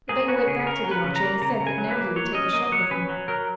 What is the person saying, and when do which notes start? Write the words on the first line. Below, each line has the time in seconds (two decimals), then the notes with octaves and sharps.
The beggar went back to the archer and said that now he would take a shot with him.
0.09 A#3 G#4
0.28 C#4 F#4
0.47 C#3 G#4
0.66 C#4 A#4
0.84 F#3
0.91 B4
1.04 C#3
1.16 A#5
1.23 A#3
1.42 C#3 A#5
1.60 C#3
1.67 G#5
1.78 F#3
1.91 B4
1.97 A#3
2.16 F#3 C#5
2.35 C#4 D#5
2.53 A#3 D#5
2.72 F#3 C#5
2.91 C#4 B4
3.09 F#3
3.28 F#3 A#4